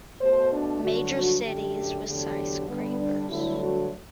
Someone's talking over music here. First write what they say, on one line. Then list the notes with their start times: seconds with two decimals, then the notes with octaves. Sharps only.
Major cities with skyscrapers.
0.20 B2 A3 C5
0.52 D4
0.82 G2 D3 F#3 F#4
1.44 F#2 D3 A3 G4
2.06 E2 D3 F#3 A3 G4
2.67 G2 D3 G3 B3
2.99 D4
3.29 G2 D3 F#3 A3 E4
3.60 F#4